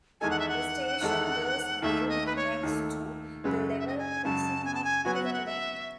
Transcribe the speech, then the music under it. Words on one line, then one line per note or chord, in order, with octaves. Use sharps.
The station was built next to the level crossing of Pinn Lane.
E2 D#3 G#3 D#4 A4 G#5
F#5
E5
F#5
E2 D#3 G#3 D#4 A4
D#2 D#3 A3 E5
D#5
B4
C#5
D#2 D#3 A3
F#2 C#3 G#3 B4
D#5
E5
D#5
G#5
F#2 C#3 G#3 A5
G#5
A5
G#5
F#3 B3 F#4 G#5
F#5
E5
F#5
E5